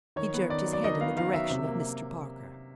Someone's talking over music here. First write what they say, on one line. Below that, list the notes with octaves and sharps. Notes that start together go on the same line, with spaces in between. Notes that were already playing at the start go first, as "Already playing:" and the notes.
He jerked his head in the direction of Mr. Parker.
D#3 C#5
B3
D#3 D5
F#3
D5
D#3 D#5
B3 F5
D#3 F5
F#3 E5
C3
A#3